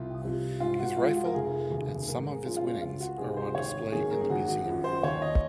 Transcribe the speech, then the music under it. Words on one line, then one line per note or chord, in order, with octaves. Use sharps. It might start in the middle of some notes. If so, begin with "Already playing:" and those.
His rifle and some of his winnings are on display in the museum.
Already playing: C2 F4
C3 F3
G#2 F4
F#4
F3 G#3 F4
F#4
A#4
F1 G#4
D#2 C#3 F#3
G#2 A#4
G#4
F3 G#3 C#4 F4
F4
C#2 F4
F#4
C3 F3 C4 D#4 G#4
C5
G#1 C#5
F#2 D#3 A#3 G#4
A#4
G#4
G#1 F#4
F#4
F#2 F3
C5
D#2 C#5
D#5